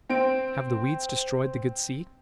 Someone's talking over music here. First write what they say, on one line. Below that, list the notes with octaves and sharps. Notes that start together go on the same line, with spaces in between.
"Have the weeds destroyed the good seed?"
C4 D7